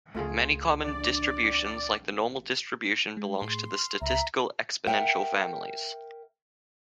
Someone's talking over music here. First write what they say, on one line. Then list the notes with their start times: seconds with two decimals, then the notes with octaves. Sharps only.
Many common distributions like the normal distribution belongs to the statistical exponential families.
0.15 C#2 A3 F4 G#4
0.43 C6 G6
0.83 A1 D4 G4 D5
1.43 C4 F#5
3.17 G#3
3.38 A2 G#4 C6
3.79 F6
4.02 C#2 E5 A#5 B5
4.87 A#4 E5 F#5 G5